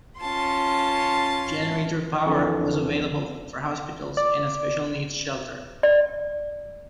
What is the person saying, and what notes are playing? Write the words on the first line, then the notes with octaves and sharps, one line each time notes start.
Generator power was available for hospitals and a special needs shelter.
C#4 F4 A5 C6
F2 D3 E3
D5
D5